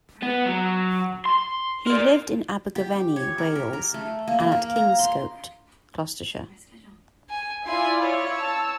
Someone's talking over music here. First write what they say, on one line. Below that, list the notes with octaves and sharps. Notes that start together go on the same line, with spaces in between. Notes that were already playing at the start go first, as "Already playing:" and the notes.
He lived in Abergavenny, Wales, and at Kingscote, Gloucestershire.
B3
F#3
C6
A#4 D5
G4
C#5
A#4
A#4
A#4
A3
A#3
A#3
A#4
A#5
C6
G#5
E4 F4 D5 G#5 C6
C#5
A5 E6